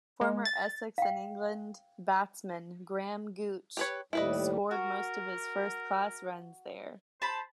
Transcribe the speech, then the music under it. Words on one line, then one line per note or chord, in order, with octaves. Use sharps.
Former Essex and England batsman Graham Gooch scored most of his first-class runs there.
G#3
A6
F5 G5
G4 B4 C#5
D#2 A2 G3 E4 B4 D#5
F#4 A#4
C5 A5 B5